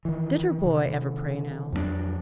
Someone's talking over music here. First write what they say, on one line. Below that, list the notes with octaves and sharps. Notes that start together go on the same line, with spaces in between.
Did her boy ever pray now?
D#3 E3
C3 D#3
F2 F#3 A3 D4